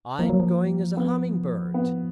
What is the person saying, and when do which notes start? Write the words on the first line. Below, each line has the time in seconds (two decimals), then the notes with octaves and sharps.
I am going as a humming bird.
0.19 F3 A#3
0.30 F#3
0.40 F3
0.97 B3
1.74 B3